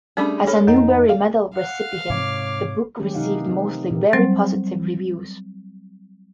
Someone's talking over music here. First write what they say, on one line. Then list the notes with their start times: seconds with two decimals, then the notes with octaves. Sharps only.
As a Newbery Medal recipient, the book received mostly very positive reviews.
0.17 G3 A3 C#4 D4 G#4 B5
0.47 G#4 A4 C#5 B5
0.67 F2 A#3 D#4
1.09 F5
1.55 F5 F#5
2.10 G#2 C3 C#5 D6
2.99 D#3 F#3 A3 C#4 G4
3.14 C3 E3 D#4 G4 F5 F#5
3.47 C4 D#4
3.91 A#2 G4 A#4
4.13 F#3 G3 C4 C5